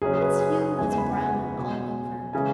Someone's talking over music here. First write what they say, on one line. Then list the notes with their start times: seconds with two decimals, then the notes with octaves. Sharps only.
Its hue was brown, all over.
0.02 F#1 F#2 F#3 C#4 G#4
0.14 G#4
0.20 B4
0.41 G#4
0.59 G#4
0.79 F#1 E2 E3 G#3 G#5
0.93 G#5
0.98 B5
1.12 F#5
1.17 G#5
1.56 B1 B2 F#3
2.33 C#3 E3 G#3 G#5